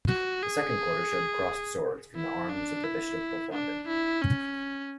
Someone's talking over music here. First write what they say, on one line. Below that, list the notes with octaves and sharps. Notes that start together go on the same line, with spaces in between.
The second quarter showed crossed swords, from the arms of the Bishop of London.
F#4
G#4
E4
D4
E4
D4
E4
C#4